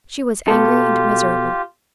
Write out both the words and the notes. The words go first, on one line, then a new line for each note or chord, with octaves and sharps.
She was angry and miserable.
B2 F4 G4 A4